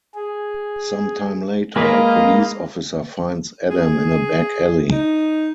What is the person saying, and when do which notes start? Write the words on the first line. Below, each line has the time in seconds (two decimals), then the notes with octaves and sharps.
Some time later, a police officer finds Adam in a back alley.
0.15 G#4
1.76 G#3 A#3 B4 D#5 F5 A#5
3.70 G#4
4.92 D#4